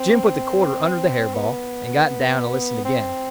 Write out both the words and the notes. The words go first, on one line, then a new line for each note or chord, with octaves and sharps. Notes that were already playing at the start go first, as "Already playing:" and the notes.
Jim put the quarter under the hair-ball, and got down and listened again.
Already playing: C4
B3
C4